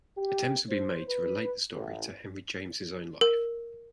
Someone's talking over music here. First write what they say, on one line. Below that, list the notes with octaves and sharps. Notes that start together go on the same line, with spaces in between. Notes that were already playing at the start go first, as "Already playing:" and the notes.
Attempts have been made to relate the story to Henry James' own life.
G4
C5
B4
A1
A#4